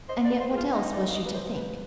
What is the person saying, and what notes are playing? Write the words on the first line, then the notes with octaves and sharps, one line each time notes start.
And yet what else was she to think?
C5 D#5
D5
B4
C5
G#4
F4
D#4 B4
D5
F5
D#5
B4
C5
B4